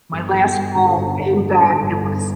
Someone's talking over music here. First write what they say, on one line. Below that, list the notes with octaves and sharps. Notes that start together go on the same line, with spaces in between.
my last bowl came back, it was
G1
G1
G2
D3
G1
G1
G2
D3
G1
G1